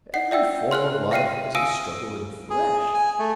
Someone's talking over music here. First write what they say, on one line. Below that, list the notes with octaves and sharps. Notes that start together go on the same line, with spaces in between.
Every form of life is a struggle in flesh.
F#5 C7
D5 E5 G5 E6
C6 F6 F#6 F#7
E5 F5 G5 F6 C7 D#7
F5 G#5 D#6 E6 D7 D#7
G#4
G#5
A3